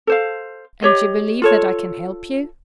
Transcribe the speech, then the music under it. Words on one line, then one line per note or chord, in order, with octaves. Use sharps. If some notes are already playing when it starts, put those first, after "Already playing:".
"And you believe that I can help you?"
A4 C5 F5
G4 C#5 D#5
F4 A4 C#5